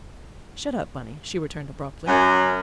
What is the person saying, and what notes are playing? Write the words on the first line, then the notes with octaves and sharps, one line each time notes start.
"Shut up, Bunny," she returned, abruptly.
F#2